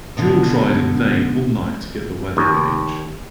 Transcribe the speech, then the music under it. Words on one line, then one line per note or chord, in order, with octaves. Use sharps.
Juel tried in vain all night to get the weather gauge.
B2 D3
D#2